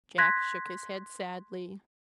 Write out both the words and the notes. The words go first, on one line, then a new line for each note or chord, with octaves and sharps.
Jack shook his head sadly.
C6 F#6 G#6 A#6 B6